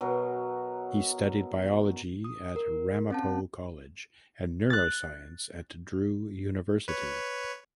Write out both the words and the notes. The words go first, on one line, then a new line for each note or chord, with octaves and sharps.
He studied biology at Ramapo College and neuroscience at Drew University.
B2 F#3 B3 A#4
D#6
A#4
C4 C#4 A5
F#6 A6
B4 C#5